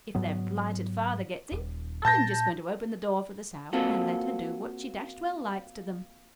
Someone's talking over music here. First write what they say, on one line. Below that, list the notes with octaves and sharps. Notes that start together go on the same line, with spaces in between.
If their blighted father gets in, I'm just going to open the door for the sow, and let her do what she dashed well likes to them.
G#2 F#3 B3
D#1
A#2 A5 G6 A#6
A#3 C4 F4 F#4 A4